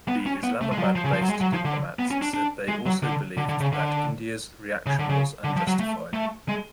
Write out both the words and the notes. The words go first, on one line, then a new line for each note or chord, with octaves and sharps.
The Islamabad-based diplomats said they also believed that India's reaction was unjustified.
B3
C#4
B3
A3
G#3
F3
F#3
F3
C#3
F3
F#3
G#3
F#3
F3
D3
B3
C#4
D4
D4
G#3
F#3
D3
D3
D3
C#3
D3
C#3
D3
C#3
D3
F3
F#3
A3
A3
G#3